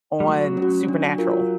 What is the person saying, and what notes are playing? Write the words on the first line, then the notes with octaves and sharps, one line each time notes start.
on Supernatural.
G3
F#3 A3
C#4
F#4
D4
F4 A#4